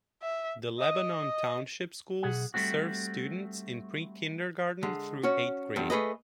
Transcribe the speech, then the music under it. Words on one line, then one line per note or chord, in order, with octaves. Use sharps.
The Lebanon Township Schools serves students in pre-kindergarten through eighth grade.
E5
D#5
B1 E2 B2 G#4 F#5
G3 A3 C4 F#4
D3 G#3
C#4 F#4
E2 G2
A3 G#4 B4 D#5